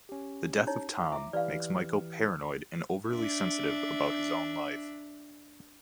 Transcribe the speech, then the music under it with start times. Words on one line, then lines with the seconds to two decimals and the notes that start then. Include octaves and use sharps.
The death of Tom makes Michael paranoid and overly sensitive about his own life.
0.09 C#4 G4
0.67 D#4 E4 C#5
1.12 E4 E5 D6
1.33 E3 G4 D5 F5 F6
3.10 D4 E5